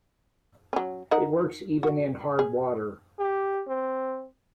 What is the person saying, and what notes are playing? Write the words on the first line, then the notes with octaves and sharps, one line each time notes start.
It works even in hard water.
F#3 C#4
D#4 A#4 F#5
F#4
G#4
G4
C4